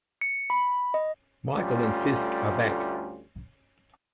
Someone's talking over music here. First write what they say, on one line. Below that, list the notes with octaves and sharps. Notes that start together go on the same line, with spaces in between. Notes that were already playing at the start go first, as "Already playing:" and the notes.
Michael and Fisk are back.
C#7
B5
D#5
D2 G3 A3 C#4 F4